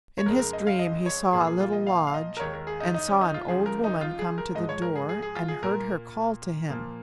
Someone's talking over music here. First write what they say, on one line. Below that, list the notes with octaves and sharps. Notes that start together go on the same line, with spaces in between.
In his dream he saw a little lodge, and saw an old woman come to the door and heard her call to him.
C#5
F2 C#3 G#3 A#4
A#4
D#5
F5
D#5
C#5
A#2 F3 A#3 G#4
G#4
F4
D#5
F5
F5
D#5
A#4
D#2 D#3 G#3 C#5
A#4
G#4
D#4
D#4
C#4
D#4
F4
C#2 C#3 F3 G#4
A#4
D#4
F4
G#4
A#4
G#2 F3 G#3 D#5
C#5
A#4
G#4
G#4
G#4
F4
G#4
A#2 A#3 A#4
A#2 F3 A#3